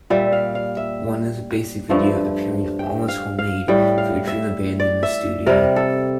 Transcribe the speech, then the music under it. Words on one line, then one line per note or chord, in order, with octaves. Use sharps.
One is a basic video, appearing almost homemade, featuring the band in the studio.
A#2 G3 E5
F5
F5
E5
G2 F3 A3
G5
F5
F5
A2 G3 G5
F5
E5
D5
E5
C3 G3 A#4
A4